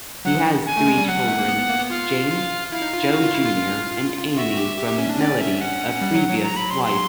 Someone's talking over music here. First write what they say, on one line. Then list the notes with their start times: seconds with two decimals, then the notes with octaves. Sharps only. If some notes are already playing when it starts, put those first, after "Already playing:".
He has three children, James, Joe Junior and Amy from Melody a previous wife.
0.25 F#3 F#5
0.35 F3
0.45 F3
0.66 G#5
0.77 A3
0.86 G#3
0.98 G3
1.08 F#3 F#5
1.17 G3
1.28 A3
1.39 A#3
1.48 B3
1.59 B3
1.69 A#3
1.79 B3
1.90 F4 F5
2.31 F4
2.72 E4 F5
2.82 D#4
2.93 F4
3.03 E4
3.14 F#4
3.23 F4
3.35 E4
3.45 F4
4.37 F#4 E5
4.57 G4
4.78 G4
4.88 G4
4.98 C#4
5.09 D4
5.19 C#4 D5
5.40 E5
5.61 F#5
6.02 G3
6.15 F#3
6.29 F#3
6.43 A#5
6.56 B5
6.70 C6
6.84 C6